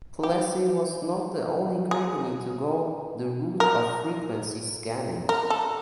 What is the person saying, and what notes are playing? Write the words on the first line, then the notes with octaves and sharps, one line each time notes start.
Plessey was not the only company to go the route of frequency scanning.
G4
G#4
A#4
A#4
A4